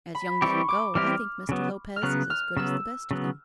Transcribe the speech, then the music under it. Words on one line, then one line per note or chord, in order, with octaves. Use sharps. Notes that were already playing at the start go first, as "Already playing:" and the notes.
As young men go, I think Mr. Lopez is as good as the best of them.
B5
E3 G3 C4 E4 G4 C#6
D6
E3 G3 C4 E4 G4 F6
C#3 F#3 B3
F6
C#3 F#3 B3 F#6
F6
C#3 F#3 B3 E6
C#3 F#3 B3